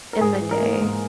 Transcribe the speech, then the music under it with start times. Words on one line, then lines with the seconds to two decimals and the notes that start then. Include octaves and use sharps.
in the day,
0.13 A#4
0.20 G#2 G#4
0.41 E3
0.51 A#4
0.61 A#3
0.81 G#2